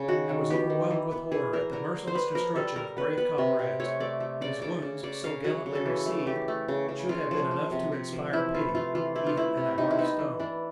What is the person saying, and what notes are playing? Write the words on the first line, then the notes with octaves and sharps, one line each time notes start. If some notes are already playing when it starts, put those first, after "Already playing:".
I was overwhelmed with horror at the merciless destruction of brave comrades, whose wounds, so gallantly received, should have been enough to inspire pity even in a heart of stone.
Already playing: C#3
D#3 F#4
D#3
B3 G4
D#3
E3
B3
E3 G#4
E3 A#4
D3 A#4
A#3
C5
A#3 B4
F3 A#4
G3 A4
G3 A#4
B3 B4
B3 B4
C3
C3
A3 C#5
A3 D5
A3
C#3 D5
C#3 D5
C#3
C#3 D5
C#3 F5
F#3 F#5
C#3
A4
E3
A3
A3 G4
A3
C#3
C#3
C#3 F4
F3
A#3
C3
C3
F3
E3 E4
A3 F4
A3 F4
E3 F4
A3 E4
F4
A3 E4
C3
C3 D#4
E4
B3 D#4
E3
E3 D4